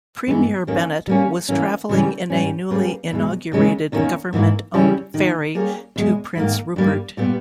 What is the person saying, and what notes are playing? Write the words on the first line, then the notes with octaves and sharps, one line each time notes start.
Premier Bennett was travelling in a newly inaugurated government-owned ferry to Prince Rupert.
G2 E3 G#3 B3
D#2 D#3 A#3 C#4
G3 A#3 C#4
E3 A#3 C#4
C#3 E3 G3 C#4
G#2 G3 C#4
G3 A#3 C#4 G#4 B4
E2 B2 G#3
D#2 C#3 G#3 C#4 E4
E2 D#3 A#3 C#4
G#2 E3 A#3 E4
C#3 G3 C#4 E4
D#3 A#3 D#4
G3 A#3 C#4 G#4 C#5
E2 B2 G#3
G#2 D#3 A#3
G2 G3 A#3
A#2 G3 B3